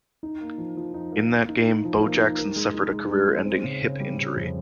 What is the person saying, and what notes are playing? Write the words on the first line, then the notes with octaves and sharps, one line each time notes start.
In that game Bo Jackson suffered a career-ending hip injury.
D#4
A#3
F3
F3
D#4
A#3
A#3
D#4
D#4
F3
A#3
D#4
A#4
G#3
D#4
G#3
G#3
G#3
C4
C#3
C#3
G3
C#3
F2